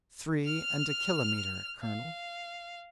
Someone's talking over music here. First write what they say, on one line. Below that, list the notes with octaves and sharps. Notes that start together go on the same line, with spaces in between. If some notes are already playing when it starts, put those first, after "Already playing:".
"Three and a kilometre, colonel."
F6 F7
F5